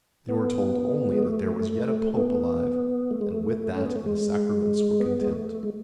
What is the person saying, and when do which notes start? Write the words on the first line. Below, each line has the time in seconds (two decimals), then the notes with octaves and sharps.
They were told only that there was yet a Pope alive, and with that and the sacraments were content.
0.29 B3
1.12 G#3
1.23 A3
2.17 B3
3.11 A3
3.21 G#3
3.31 A3
3.75 C#4
3.85 B3
3.96 A3
4.06 G#3
5.00 B3
5.21 G#3
5.31 A3
5.63 G#3